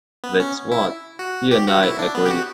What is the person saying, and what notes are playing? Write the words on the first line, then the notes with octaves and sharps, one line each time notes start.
That's what he and I agreed.
B3
C#4
E4
F#4
G4
F#4
E4
D4
B3
G4
F#4